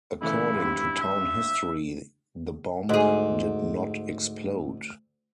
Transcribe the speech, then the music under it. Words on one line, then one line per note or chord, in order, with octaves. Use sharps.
According to town history the bomb did not explode.
C#3 E3 A3 E4
G#1 G2
E5
D2 G#2 G#4